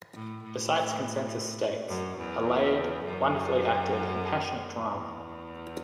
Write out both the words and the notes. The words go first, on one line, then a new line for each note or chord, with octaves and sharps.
The site's consensus states: A layered, wonderfully-acted, and passionate drama.
A2
A2
F#2
E2
F#2
E2